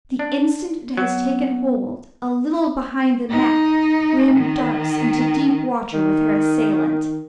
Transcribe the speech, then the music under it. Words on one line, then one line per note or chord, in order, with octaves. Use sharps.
The instant it has taken hold--a little behind the neck--Grim darts into deep water with her assailant.
D4
F#3 B3
D#4
D#3
D#3